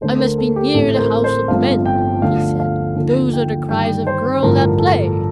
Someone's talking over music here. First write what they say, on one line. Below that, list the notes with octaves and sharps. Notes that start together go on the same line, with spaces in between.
"I must be near the houses of men," he said; "those are the cries of girls at play."
D2 D3 A3 C5
A#4
A4
G4
A1 A2 A3 C4 A4
C5
A#4
C5
G1 G2 F3 A3 C4 F5
G5
D2 D3 F3 F5
F5
D#2 D3 F3 A#3
G5
G2 D#3 G3 G5
C5
A1 G2 D3 F3 A#4
A4